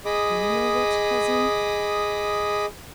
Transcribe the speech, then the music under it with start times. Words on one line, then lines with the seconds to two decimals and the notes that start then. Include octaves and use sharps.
Do you know what, cousin?
0.05 G#4 D#5 B5 D6 D#6